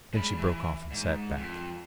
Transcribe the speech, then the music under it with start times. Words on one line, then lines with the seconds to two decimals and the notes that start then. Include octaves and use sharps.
Then she broke off and sat back.
0.14 G#3 B5
0.38 E3
0.92 G#2
1.38 F2